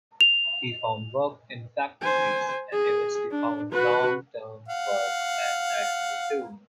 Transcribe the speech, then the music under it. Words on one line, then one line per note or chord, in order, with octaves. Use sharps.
He found work in factories, and eventually found long-term work at National Tool.
F7
C5 G#5
G#4
D4
F#4 B4
F5 F#5